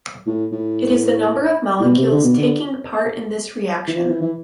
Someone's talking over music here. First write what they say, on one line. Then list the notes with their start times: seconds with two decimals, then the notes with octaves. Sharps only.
It is the number of molecules taking part in this reaction.
0.26 A2
0.52 A2
1.80 A2
1.84 B2
1.97 C3
2.12 D3
2.24 B2
2.37 D3
3.87 E3
3.95 F3
4.09 E3
4.21 E3